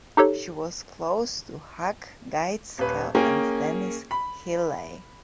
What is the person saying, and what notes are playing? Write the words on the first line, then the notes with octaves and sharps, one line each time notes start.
She was close to Hugh Gaitskell and Denis Healey.
D#4 G4 A4 C#5
D#1 B4
A#3 C#4 G#4 G5
B5